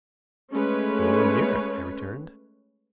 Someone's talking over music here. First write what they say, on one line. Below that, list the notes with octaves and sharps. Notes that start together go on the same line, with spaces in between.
"Full, or near it," I returned.
G#3 A3 C#4 B4 C#5